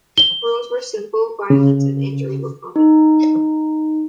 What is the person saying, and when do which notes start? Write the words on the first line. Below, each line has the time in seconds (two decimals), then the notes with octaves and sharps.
Rules were simple, violence and injury were common.
0.18 G7
1.50 C#3
2.76 D#4